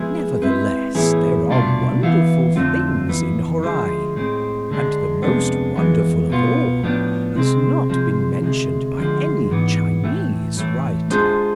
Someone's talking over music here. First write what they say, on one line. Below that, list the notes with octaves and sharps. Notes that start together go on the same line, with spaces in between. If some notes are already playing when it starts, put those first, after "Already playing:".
Nevertheless there are wonderful things in Horai; and the most wonderful of all has not been mentioned by any Chinese writer.
Already playing: F3 G#3 B3 E4 G#4
G#3 C4 E4 B4 E5
A2 E3 B3 E4 G#4
C2 B2 A3 D4 F4
E3 B3 E4 B4 F5
F2 D3 A3 C4 F4
F2 E3 B3
D2 D3 F3 G#3
A2 G#3 C4
D2 D3 G#3 D4
F2 C3 G#3 B3 D4
F2 E3 G#3 B3
B2 B3 F4
A2 F3 B3 D4
C3 G#3 C4
C3 F3 G#3
D2 C3 G#3
D2 D3 F3 G#3
G#2 E3 B3
A2 E3 A3
A2 E3 A3
G#3 D4 F4 G#4 C5